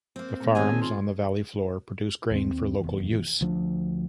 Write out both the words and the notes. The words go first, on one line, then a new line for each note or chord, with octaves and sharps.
The farms on the valley floor produced grain for local use.
A#3 C4
A#2 A3 B3
D#3 C4 D4 G4 G#4 C#5 G#5
F4
D#2 C4
F1 E2
D2 F3 D4